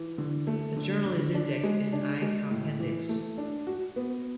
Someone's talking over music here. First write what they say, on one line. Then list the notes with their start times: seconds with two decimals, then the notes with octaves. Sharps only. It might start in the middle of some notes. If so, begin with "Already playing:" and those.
The journal is indexed in Ei Compendex.
Already playing: E3
0.18 D3
0.47 A3
0.76 D3
1.05 D3
1.34 D4
1.63 G#3
1.93 D4
2.22 G#3
2.51 A2
2.80 E3
3.09 A3
3.38 D4
3.67 F#4
3.96 B3